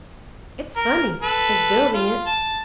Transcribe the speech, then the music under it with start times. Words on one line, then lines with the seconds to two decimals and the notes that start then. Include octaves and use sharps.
"It's funny--his building it."
0.77 A#4
1.22 A4 B4
1.95 F4
2.27 A5